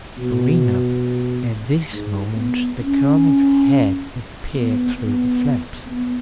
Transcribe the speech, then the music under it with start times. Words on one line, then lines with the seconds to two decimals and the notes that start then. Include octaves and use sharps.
Sure enough, at this moment the Colonel's head appeared through the flaps.
0.18 B2
1.93 G#2
2.36 B3
2.80 C#4
4.55 B3
4.99 B3
5.86 B3